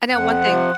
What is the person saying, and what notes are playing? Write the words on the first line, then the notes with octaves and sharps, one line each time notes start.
I know one thing
F2 F#5
C3 F3